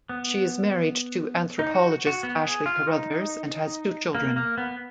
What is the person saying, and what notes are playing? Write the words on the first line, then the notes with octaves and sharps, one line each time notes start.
She is married to anthropologist Ashley Carruthers and has two children.
B3
D#4
F#4
F#4
B3
G#4
F4
D#4
A#3
A#3
B3